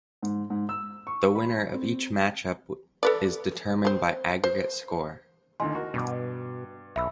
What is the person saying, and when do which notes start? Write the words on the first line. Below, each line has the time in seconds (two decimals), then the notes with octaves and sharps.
The winner of each match up is determined by aggregate score.
0.22 G#2
0.50 G#2
0.69 E6
1.07 C#6
1.35 B5
1.73 C4
3.03 A4 B4 D5
3.85 C4 C5
4.44 C5
5.60 A1 D#2 D3 D#5 G#5 C6
5.75 F#4 A#4
5.94 G2 B2 D6
6.96 B1 E5 B5 E6